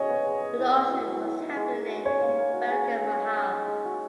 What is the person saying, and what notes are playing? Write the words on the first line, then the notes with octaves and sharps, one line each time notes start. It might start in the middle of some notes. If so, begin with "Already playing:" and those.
An auction was happening in Begum Mahal.
Already playing: F#3 C#4 G#4 C#5 D#5
B3
G#3
G#3
E4
B3
F#3
F#3
E4
D#4
G#3
G#3
F#4
C#4 C#5
A#3
A#3
F#4
G#4
C#4
C#4
D#5
C#4
G#3
G#3
F#4